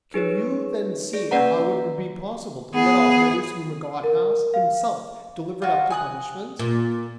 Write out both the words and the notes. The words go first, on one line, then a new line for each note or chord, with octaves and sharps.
Can you then see how it would be possible to let off those whom a god has, himself, delivered up to punishment?
D#4 G#4 B4 C#5
G#4 D5 A#6
A#3 C#4 B4 D5 F#5 A#5
B3 G#4
A#4
F5
F4 F#4
G#5 D#6 F#6
A#2